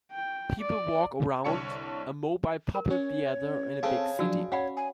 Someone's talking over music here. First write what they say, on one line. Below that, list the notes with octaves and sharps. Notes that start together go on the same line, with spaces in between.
People walk around a mobile puppet theater in a big city.
G5
D5
C2 D3 C#5 A5 C#7
A#4
C#4 C#5
C#3 C4 A4
F3 F#3 D4 F#4 D5 E6
C#4 C#5 F5 F#5 B5
G#5